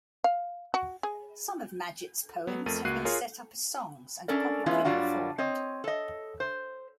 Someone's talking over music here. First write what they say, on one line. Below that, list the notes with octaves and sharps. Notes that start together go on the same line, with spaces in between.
Some of Madgett's poems have been set up as songs and publicly performed.
F5
F#4
G#4
F#3 B3
F2 A3 A#4 A6 D#7
C#2 A#3 F#4 F#6 C7 D#7
F4 G#4 A#4 C#5
C#4 D4 A4 A#4 D5
E3 G#3 B3 C#4 E4 F4
G2 F#3 G3 D4 F4 F#4
C4 C#5 D#5
A4 D#5
C5